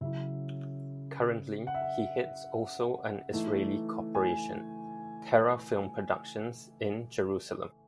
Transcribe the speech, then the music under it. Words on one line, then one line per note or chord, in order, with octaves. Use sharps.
Currently, he heads also an Israeli corporation, Terra Film Productions in Jerusalem.
C#3 F#3 C#4 E4 E5
F#5
E5
F#5
E3 A3 D#4
G#5